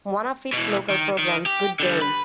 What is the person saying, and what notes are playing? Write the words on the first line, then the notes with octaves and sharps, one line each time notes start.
One of its local programs, Good Day!
B2 E3
D#3
D#3
G4
D3 G3
B4